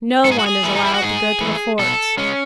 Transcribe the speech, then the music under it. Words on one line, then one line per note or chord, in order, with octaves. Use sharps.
No one is allowed to go to the forts.
G#2 A4
G#4
F#4
G#4
E3 A3
D#4
E4
F#4
G#2 G#4
E3 A3
B2 A4
G#3 C#4